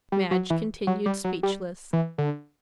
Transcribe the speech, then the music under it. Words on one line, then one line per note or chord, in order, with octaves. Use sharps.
Madge continued speechless.
G3
F#3
E3
F#3
G3
F#3
G3
E3
D3